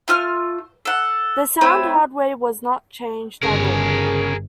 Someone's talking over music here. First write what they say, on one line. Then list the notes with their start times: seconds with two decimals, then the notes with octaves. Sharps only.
The sound hardware was not changed at all.
0.08 A3 F4 F6
0.85 A4 F#5
1.61 A3 C4 E4 C#5
3.43 G1 C#3 G#4 A#4